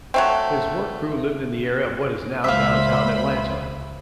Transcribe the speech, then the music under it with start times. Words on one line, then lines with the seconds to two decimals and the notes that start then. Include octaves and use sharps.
His work crew lived in the area of what is now downtown Atlanta.
0.14 F#3 A3 C4
2.44 C#2 C5 E5 F5 B5